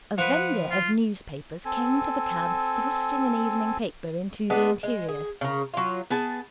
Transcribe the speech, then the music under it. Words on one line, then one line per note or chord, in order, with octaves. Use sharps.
A vendor of newspapers came to the cab thrusting an evening paper into the interior.
F3 B4 F#5
F4
C4 A4 G#5
G#3 B3 D4 G#4
G#3
G#4
C#3 A#4
F#3 F4
B3 G#4 A5